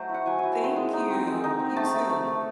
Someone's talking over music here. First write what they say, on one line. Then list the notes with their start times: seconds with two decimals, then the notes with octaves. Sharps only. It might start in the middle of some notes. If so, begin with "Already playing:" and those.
Thank you! You too.
Already playing: F#3 A3 F#4 C5
0.09 E4
0.14 F#5
0.26 F#3 G#5
0.39 E4 G#5
0.52 A5
0.60 C4 C6
0.76 G#3
0.93 D#4
1.10 C4
1.27 G#3
1.44 D#4
1.59 C4
1.76 A3 A5
1.94 A3
2.09 A3
2.27 A3